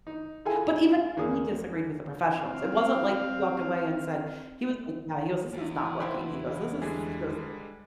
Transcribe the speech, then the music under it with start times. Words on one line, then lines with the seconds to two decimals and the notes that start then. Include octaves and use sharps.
But even he disagreed with the professionals. It wasn't like he walked away and said he was like, "No." He goes, "This is not working." He goes, "This is" He goes,
0.07 D#4
0.45 E4 F4 G#4 A4 G#5
1.17 E2 A#3 G#4 D#6
2.39 C4 F5
5.54 E2
6.00 F3 C4 E4 B4 B5
6.82 D3 G3 G#3 G#4